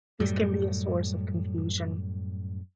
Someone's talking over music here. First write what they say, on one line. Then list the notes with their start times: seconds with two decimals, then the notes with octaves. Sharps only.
This can be a source of confusion.
0.20 F#2 A2 G3